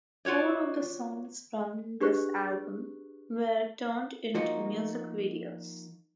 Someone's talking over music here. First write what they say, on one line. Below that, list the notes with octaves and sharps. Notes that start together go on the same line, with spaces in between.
Four of the songs from this album were turned into music videos.
F4 F#4 C#5 D5
D4 G4 G#4 B4 C#6 F#6
F3 A#3 D#4 F4 F#4